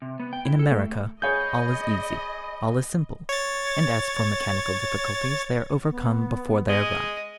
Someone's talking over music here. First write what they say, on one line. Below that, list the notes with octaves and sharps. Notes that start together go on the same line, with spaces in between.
In America, all is easy, all is simple; and as for mechanical difficulties, they are overcome before they arise.
C3
B3
G5
E4
A4
A3
G#4 C#5 D#5 B5 G6
C#5 A6
B3
G#3 D#5